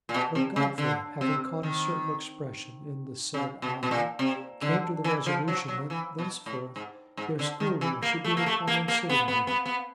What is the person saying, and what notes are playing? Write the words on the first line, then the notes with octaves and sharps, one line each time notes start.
But Godfrey, having caught a certain expression in the said eye, came to the resolution that thenceforth their schoolroom should be the common sitting-room.
A#2
B2
C3
C#3
D3
C3
D#3
C#3
B2
B2
A#2
C3
D3
E3
F3
F#3
F#3
E3
B2
A2
G#2
G#2
D3
D#3
E3
A#3
A3
A#3
A3
A#3
A#3
B3
B3
B3
B3